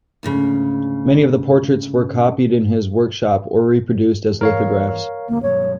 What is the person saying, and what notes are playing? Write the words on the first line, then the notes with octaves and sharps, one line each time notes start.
Many of the portraits were copied in his workshop or reproduced as lithographs.
D2 G#2 C#3
G2 E3 A#4 C#5 F5
A1 D#2 D3 A#3
G2 B2 F#3 C#5